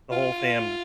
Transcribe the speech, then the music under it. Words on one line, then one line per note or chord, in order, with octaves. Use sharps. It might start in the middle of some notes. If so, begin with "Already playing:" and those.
the whole fam
F4